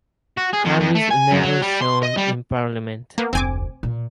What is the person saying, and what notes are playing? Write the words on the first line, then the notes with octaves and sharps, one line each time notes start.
Harris never shone in Parliament.
F#4
G#4
F2
F2
A3
G#5
F#2
F#3
G3
C6
D#5
G3
A#3 B3
F1 D2 C4 G#5 D6
A#2